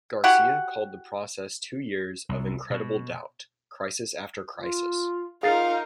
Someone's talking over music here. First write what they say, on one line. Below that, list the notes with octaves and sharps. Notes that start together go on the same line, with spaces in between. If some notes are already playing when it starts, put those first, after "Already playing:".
Garcia called the process two years of incredible doubt, crisis after crisis.
E4 F#4 G4 F#5
C2
B2
F4
D#4 F4 G#4 A#4 F5 A6 C7